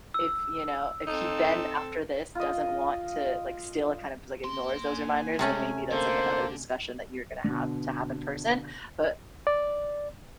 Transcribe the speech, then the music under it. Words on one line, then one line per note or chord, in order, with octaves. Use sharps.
if, you know, if he then, after this, doesn't want to like, still, kind of, just, like, ignores those reminders, then maybe that's another discussion that you're gonna have to have in person. But,
E6
C4 D#4 A4
F4 D#5
A#3 C6
G#5
C3 G#3 A3 C#4
D3 A#3 A4 C5
B2 D3
D5